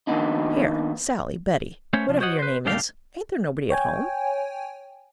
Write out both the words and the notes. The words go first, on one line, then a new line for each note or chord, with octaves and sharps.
"Here, Sally, Betty--whatever your name is--ain't there nobody at home?"
D#3 A#3 B3 D4 D#4
A3 B3 C#4 C5 C#5
C3 F3
F#4 C5 C#5 D#5 F#5
B4 C5
C#2 G2 B2 A3 G4 F5
C#5 G5 G#5